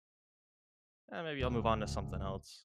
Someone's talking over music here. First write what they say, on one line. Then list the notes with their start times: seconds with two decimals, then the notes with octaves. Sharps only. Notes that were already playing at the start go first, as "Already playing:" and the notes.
"Eh, maybe I'll move on to something else."
1.40 D1 C#2